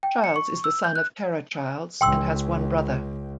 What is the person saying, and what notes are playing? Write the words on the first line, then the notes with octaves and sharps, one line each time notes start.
Childs is the son of Kara Childs and has one brother.
G5
C#7
C#6
E6
G6
F#6
C#2 G5 C6 E6